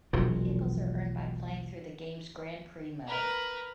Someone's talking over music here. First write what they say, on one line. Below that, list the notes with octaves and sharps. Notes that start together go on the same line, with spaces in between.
Vehicles are earned by playing through the game's Grand Prix mode.
E1 A#1 F3 F#3
A#4 B4